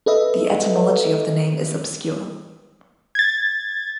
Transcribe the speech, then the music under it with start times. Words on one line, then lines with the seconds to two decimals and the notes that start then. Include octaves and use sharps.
The etymology of the name is obscure.
0.06 A4 B4 D#5 E5
3.15 G#6 A6